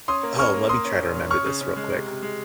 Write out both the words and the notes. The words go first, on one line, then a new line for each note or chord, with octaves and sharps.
oh, let me try to remember this real quick.
C#4 C6 D#6
A#3
C#4 C#6 F6
A#3
A#3 C6 D#6
C#4
A#2
C#4
C#4 C#6 F6
C#3
C#3
G#3
C3
C3
G#3